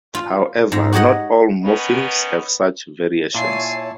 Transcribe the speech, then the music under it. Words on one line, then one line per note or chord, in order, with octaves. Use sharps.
However, not all morphemes have such variations.
F4
G#2 A#5
F#4 G4 C#5 D#5 F#5
D#3 B3 C#4 B4
A#2 E4 C#5 G#5 A5 C7